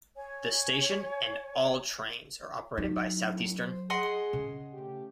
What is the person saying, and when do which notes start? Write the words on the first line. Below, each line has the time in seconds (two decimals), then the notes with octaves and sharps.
The station and all trains are operated by Southeastern.
0.16 C#5 G#5
2.77 F#3 D#4
3.15 F#2 A2 E4
3.58 C5
3.90 G#4 D#5 F#5 C6
4.33 C#3
4.74 A3 C#4 G4